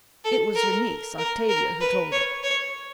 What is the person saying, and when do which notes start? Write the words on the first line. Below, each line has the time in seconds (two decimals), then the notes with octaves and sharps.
It was her niece, Octavia, who told her.
0.24 A4
0.55 A#4
1.18 A#4
1.49 A#4
1.81 B4
2.12 C#5
2.43 C#5